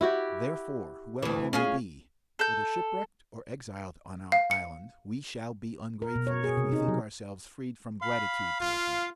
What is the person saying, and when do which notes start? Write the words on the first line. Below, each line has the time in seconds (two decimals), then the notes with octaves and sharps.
Therefore, whoever he may be, whether shipwrecked, or exiled on our island, we shall be ungrateful, if we think ourselves freed from gratitude towards him.
0.01 E4 F#4 G4
1.23 D2 E3
1.53 C#4 F4 G#4
2.39 A4 G6
4.32 F5
4.51 C#7
6.02 A#4
6.16 B2
6.27 C#5
6.44 G#4
6.57 C3
6.73 D#4
6.88 F#3
8.02 F5 B5
8.61 F4